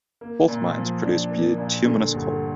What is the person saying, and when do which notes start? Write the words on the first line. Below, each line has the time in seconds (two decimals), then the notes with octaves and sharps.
Both mines produce bituminous coal.
0.21 A#3
0.48 A#2
0.76 F3
1.04 D4
1.31 A#3
1.58 A#2
1.85 D3
2.14 G1